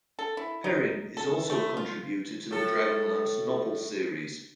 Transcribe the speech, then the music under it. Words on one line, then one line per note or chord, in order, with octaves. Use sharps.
Perrin is also a contributor to the Dragonlance novel series.
A4
E4
D#4
A4
A3
F4
A2 A4